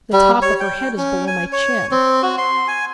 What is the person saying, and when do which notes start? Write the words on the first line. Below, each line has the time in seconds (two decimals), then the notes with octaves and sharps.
"The top of her head is below my chin."
0.13 G3
0.42 C#5
0.60 G5
0.97 C#4
1.27 G#5
1.52 C#5
1.91 C4
2.23 F#4
2.38 C6
2.68 G#5